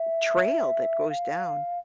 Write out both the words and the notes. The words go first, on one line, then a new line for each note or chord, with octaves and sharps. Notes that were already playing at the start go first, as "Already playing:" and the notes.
trail that goes down,
Already playing: E5
F5